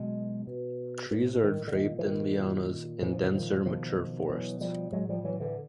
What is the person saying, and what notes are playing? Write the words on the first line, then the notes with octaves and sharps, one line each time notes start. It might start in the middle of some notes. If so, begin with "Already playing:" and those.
Trees are draped in lianas in denser, mature forests.
Already playing: B2 F#3 G#3
B2
A2
D#3
D3
A#2 D#3
E3
D#3
A#2
A#2 E3
F3
D3 E3
D#3 F3
B2 D#3 F3
B2 E3 F#3
F3 G3
A2 F#3 G#3
F3 G3
E3 F#3
D3 E3